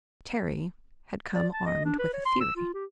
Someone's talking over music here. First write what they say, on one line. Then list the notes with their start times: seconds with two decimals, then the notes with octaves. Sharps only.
Terry had come armed with a theory.
1.34 D5
1.53 A5
1.66 D#5
1.84 D4
1.99 B4
2.13 C#5
2.26 C6
2.41 E6
2.56 F4
2.74 G4